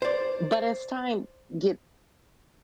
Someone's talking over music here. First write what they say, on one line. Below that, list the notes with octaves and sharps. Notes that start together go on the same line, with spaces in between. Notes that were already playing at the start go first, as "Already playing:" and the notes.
but as time gets
C5 D5